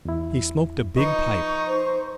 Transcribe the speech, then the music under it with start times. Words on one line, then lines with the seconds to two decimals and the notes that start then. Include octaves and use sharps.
He smoked a big pipe.
0.05 E2 E4
0.97 F3 D#4 B4 D#5 C#6
1.67 C5